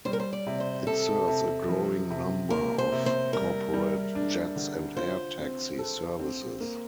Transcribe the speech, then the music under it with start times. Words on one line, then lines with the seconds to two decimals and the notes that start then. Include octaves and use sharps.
It serves a growing number of corporate jets and air taxi services.
0.05 G3 C5
0.13 A#4
0.20 C5
0.33 D5
0.47 C3
0.60 C5
0.87 C3 A4
1.28 C3
1.69 F3
2.10 C3
2.50 A#3 A#4
2.78 C5
2.92 C3
3.06 C5
3.33 G3 A#4
3.73 G3
4.15 D4
4.56 D3
4.97 F4 C5
5.38 C4
5.79 A4
6.20 C4
6.60 A#3